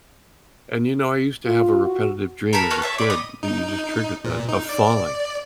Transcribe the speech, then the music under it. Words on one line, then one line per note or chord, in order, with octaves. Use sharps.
And, you know, I used to have a repetitive dream as a kid, that you just triggered that, of falling
F4
F#4
A#4 A5 B5
B3 F#4 F6
C#5 E5 A5
D5 B5
D#5 D#6
D#4
A#2
D#4
D5